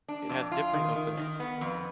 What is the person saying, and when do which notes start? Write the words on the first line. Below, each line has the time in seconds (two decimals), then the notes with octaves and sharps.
It has different openings.
0.08 D4
0.29 F2
0.52 F4
0.73 D#3
0.96 D#3
1.18 D#3
1.40 B3
1.61 F2